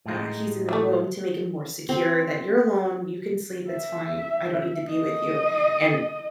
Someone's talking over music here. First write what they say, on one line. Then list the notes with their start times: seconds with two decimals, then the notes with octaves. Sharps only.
uh, he's in the room to make him more secure that, "You're alone, you can sleep, it's fine, I don't need to be with you," and,
0.06 A2 G#3 D#4
0.69 E3 A3
1.89 C4
3.70 E5
4.92 D#5